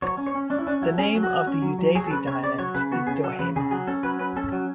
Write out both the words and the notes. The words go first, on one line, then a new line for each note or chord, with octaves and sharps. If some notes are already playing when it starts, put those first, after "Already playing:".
The name of the Eudeve dialect is "Dohema".
F#3 C#5
C#4
C#5
C#4
C#4 D4
E4
C#4 D4
F#3 E4
C#4 G#4
F#3
F#4
F#3
C#4
F#3
F#3
F#3 G#4
A4
C#3 B4
C#3 C#5
C#3 D5
F#3 C#5
C#3 B4
B3 F#4
C#3 G#4
F#3 A4
C#3 B4
C#3 G#4
F#3 G#4
C#4 A4
F#3 B4
C#4 B4
C#4 A4
F#3